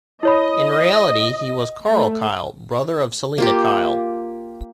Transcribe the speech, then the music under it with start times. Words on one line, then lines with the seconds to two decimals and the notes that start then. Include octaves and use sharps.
In reality, he was Karl Kyle, brother of Selina Kyle.
0.23 E4 C#5 D#5 B5
1.90 A3
3.38 A#3 F4 G4